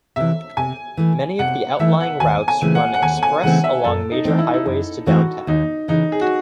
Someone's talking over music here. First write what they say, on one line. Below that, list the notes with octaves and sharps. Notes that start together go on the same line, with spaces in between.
Many of the outlying routes run express along major highways to downtown.
C3 E3 E5
C3 G#5
E3 A3
C3 F#5
E3 A3 E5
F#5
D#2 G#5
G#5
C#3 E3 A3 C4
F#5
F#5
D#2 G#5
G#5
C#3 E3 A3 C4 F#5
E5
F#2 A4
D#4
E3 A3 C4
E4
D#4
E4
F#2 E4
E3 A3 C4 F#4
D#2 D#4
C#3 E3 D#4
G#4
F#4